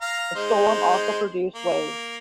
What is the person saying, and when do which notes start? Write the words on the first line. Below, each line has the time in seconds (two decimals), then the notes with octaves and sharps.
The storm also produced waves.
0.01 F5 A#5
0.35 G#3 D#4 C5
1.55 A#3